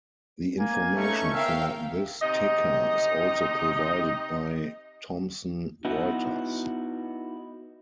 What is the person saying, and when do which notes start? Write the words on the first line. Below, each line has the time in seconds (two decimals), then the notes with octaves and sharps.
The information for this ticker is also provided by Thomson Reuters.
0.59 A#3 G#5
0.96 A3 B3 C#4 D#4 C#6
1.34 A#4 E5 F5 G5
2.22 C3 D#4 D#5
5.85 B3 D#4 E4 F#4